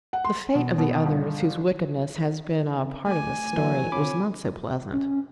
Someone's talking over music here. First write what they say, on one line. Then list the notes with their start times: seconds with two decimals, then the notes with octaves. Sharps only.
The fate of the others, whose wickedness has been a part of this story, was not so pleasant.
0.13 F#5
0.25 C6
0.55 B2
0.78 B2
1.06 G1
2.76 C#3 C4
3.07 A3 G#5 D6
3.53 E3 F#3 A#3 E5
3.92 C3 C4 F4 C#5 B5 D6
4.93 C#4